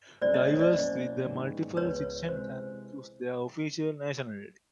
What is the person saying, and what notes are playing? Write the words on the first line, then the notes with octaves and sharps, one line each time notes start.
Drivers with multiple citizenship choose their "official" nationality.
C2 B2 F#3 A3 C#4 C5 D5
C#5 D#5
C#5 D#5
C5 D5
B2 F#3 A#3 C#4 E4
G#2 D#3 G#3 B3
C#2 C#3 F3 B4 C#5
C3 E3 G#3 C5